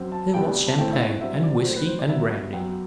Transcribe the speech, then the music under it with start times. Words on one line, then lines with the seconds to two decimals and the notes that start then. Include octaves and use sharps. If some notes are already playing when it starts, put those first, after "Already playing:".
There was champagne, and whiskey, and brandy.
Already playing: F#2 F#3 C4
0.12 A5
0.34 D2 C3 G3 B3 G5
0.67 A5
0.78 A2 E3 A3 C4 G5
0.93 E5
1.00 F#5
1.21 G2 F#3 C4 E5
1.43 D5
1.65 A2 F#3 A3 C4 C5
1.76 B4
1.87 C5
1.99 D5
2.09 G2 D3 F#3 B3 E5
2.53 F#2 F#3 B3 G5